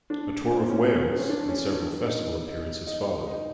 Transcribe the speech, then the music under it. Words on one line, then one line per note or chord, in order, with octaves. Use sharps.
A tour of Wales and several festival appearances followed.
D4
C4
C#4
C4
C#4
D4
C#4
D4
D#4
D#4
D#4
D#4